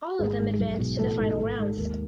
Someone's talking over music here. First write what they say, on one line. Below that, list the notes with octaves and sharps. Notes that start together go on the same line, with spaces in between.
All of them advanced to the final rounds.
G#1 G#4
G#2
B1
B2
A1 A4
G#2 A4
G#1 A4
G#2
D#2